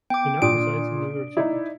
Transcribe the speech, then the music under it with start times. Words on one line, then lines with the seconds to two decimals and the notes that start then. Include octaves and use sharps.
He now resides in New York City.
0.10 B3 G5 D6
0.42 A#2 D4 D5 D#6 D7
1.37 D#4 E4 D5